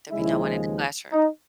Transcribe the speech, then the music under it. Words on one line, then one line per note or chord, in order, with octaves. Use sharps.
there'll be no one in the classroom.
D#2 C#3 F3 G#3 E4
D#4